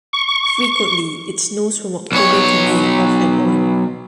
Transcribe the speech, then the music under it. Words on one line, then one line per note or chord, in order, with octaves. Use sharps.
Frequently, it snows from October to May off and on.
C#6
B1 C#5